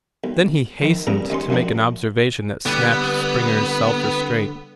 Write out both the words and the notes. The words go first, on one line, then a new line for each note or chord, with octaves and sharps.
Then he hastened to make an observation that snapped Springer's self-restraint.
B1
D#3 F3
E2 G2 A#2 C#3 A#5
D#2 D#3 C#4 C6
F#2 C3 F3 F#3 D4
D3 G3 B3